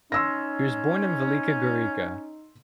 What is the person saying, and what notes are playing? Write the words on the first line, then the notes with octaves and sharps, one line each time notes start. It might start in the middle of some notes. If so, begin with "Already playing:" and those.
He was born in Velika Gorica.
C#4 D#4 C6 E6 A#6